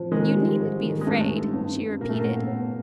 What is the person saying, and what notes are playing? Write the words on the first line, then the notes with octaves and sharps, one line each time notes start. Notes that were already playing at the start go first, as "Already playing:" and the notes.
"You needn't be afraid," she repeated.
Already playing: F3
D#3 G#3
G3
G#2
D#3
G#3
G2 A3
G2
G2
G2
A#2 A#3
A3
A#3
B3
B3